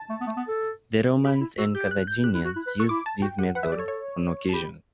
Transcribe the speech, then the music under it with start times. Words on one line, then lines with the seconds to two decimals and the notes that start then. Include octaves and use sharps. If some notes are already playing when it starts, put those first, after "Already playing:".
The Romans and Carthaginians used this method on occasion.
Already playing: A5
0.10 A3
0.21 B3
0.27 A3
0.37 B3
0.48 A4
1.25 G4 B5
1.41 E4
1.58 F#4 E6
1.75 G4 G6
1.91 F#6
2.07 G6
2.24 G4 F#6
2.35 E4
2.45 F#4
2.56 E4
2.67 B4
2.79 A4 C#6
2.89 E4 D6
3.06 A5
3.22 F#4 G5
3.39 G4 F#5
3.55 B4 F#5
3.63 E5
3.66 B4
3.72 G4 D5
3.77 A4 C#5
3.88 C#5
4.49 A5
4.53 G4 B5